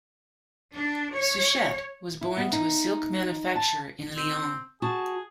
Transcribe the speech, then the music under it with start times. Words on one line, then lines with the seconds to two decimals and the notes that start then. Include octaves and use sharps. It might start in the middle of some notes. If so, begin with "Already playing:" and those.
Suchet was born to a silk manufacturer in Lyon.
0.74 D4
1.15 C#5
2.21 E4
2.37 B3
2.53 D#4
3.56 A5
4.17 C4
4.82 F#4 G#4 A5